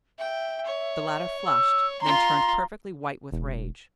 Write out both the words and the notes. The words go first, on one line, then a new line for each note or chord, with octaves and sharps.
The latter flushed, then turned perfectly white with rage.
E5 G5
C#5
E6
F4 A#5 C6
E1